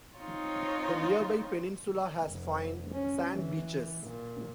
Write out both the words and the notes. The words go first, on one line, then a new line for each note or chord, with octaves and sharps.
The nearby peninsula has fine sand beaches.
C4 D#4 F4 C#5
F1
C#4
E3
A#2